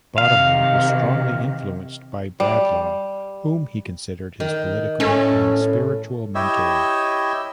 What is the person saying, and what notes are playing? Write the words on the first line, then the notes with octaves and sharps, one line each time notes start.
Bottomley was strongly influenced by Bradlaugh, whom he considered his political and spiritual mentor.
C3 D#3 F5
G3
D#3
A2 A3 C#4 A4
E4 G4 C#5 D#5 E5